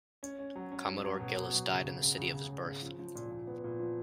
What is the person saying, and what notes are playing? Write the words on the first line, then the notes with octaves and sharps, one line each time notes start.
Commodore Gillis died in the city of his birth.
C#4
C#4
F#3
C#4
F#3
F#3
B2
B2
F#3
C#3
C#3
C#3
C#3
C#3
C#3
C#3
F3
F3
A#2
A#2
B3
A#2
F3